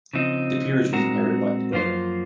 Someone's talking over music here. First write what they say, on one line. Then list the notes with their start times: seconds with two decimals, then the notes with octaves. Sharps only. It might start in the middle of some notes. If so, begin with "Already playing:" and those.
The peerage was inherited by his brother.
0.13 C#3 F3 C4 D#4
0.93 A#2 G#3 C4 F#4 A#4
1.72 F#2 F3 A#3 F4 C5